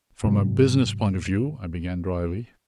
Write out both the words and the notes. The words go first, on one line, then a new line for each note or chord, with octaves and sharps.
"From a business point of view----" I began dryly.
G#2 C3 F#3